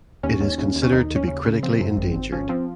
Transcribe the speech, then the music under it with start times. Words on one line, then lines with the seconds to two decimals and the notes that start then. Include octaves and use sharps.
It is considered to be Critically Endangered.
0.23 D#2 C#4
0.40 D#2
0.58 D#2
0.76 D#2
0.82 C#4
0.93 D#2 D#4
1.10 D#2
1.16 C#4
1.28 C#3
1.45 C#3
1.63 F3 C4
1.80 F#2
1.97 G#1
2.15 G#1
2.32 F3 C#4
2.49 F3 C4